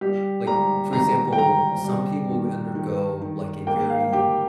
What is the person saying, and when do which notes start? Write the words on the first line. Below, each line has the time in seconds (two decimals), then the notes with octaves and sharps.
Like, for example, some people undergo, like, a very
0.01 G3 G4
0.47 G3 A#5
0.92 D#3 A#5
1.32 G5
1.38 D#3 A#5
1.84 G3
2.30 D#3
2.75 D#3
3.21 D#3
3.67 A#3 G5
3.90 F5
4.12 G4 G5